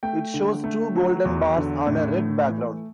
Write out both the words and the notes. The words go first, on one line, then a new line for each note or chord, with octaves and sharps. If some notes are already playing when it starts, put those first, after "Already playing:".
It shows two golden bars on a red background.
A3 G5
D3
A3
F#3
E2
D3
A2
A3
E3